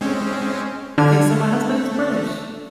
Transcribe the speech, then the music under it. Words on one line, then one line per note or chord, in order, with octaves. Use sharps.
Okay, so my husband is British,
G#3 C4 C#4
D3 F6 G#6
A3